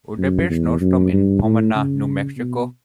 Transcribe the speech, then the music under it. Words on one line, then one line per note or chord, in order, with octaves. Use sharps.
Will there be a snowstorm in Pomona, New Mexico?
F#2
E2
F#2
G2
A2
C#3
B2